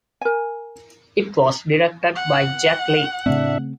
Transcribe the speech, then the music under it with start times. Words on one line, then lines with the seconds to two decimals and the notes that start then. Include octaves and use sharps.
It was directed by Jack Lee.
0.21 A#4 G#5
2.15 F#5
3.26 A2 C#3 A3 C4 D4 E5